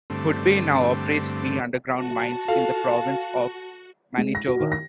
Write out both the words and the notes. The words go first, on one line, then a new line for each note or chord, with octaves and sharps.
Hudbay now operates three underground mines in the province of Manitoba.
G2 D3 A3 C4
F#4 A5
F4 A4 F5
G#3
A#6
F#4
D#3
A#6